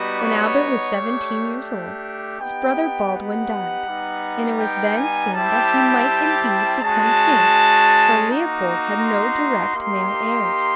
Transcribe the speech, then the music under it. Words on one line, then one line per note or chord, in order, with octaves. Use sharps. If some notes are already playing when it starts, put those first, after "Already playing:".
When Albert was seventeen years old, his brother Baldwin died, and it was then seen that he might indeed become King, for Leopold had no direct male heirs.
Already playing: G3 B3 D#4 F#4
C#5
A3 D4 G4
B3 D#4 G4 G5
F#5
G3 B3 D#4
G5
G#5
G3 C4 E4 G4 A5
G#3 C#4 F#4 A5
A#3 D#4 F#4
C6
A#3 D#4 G4 C6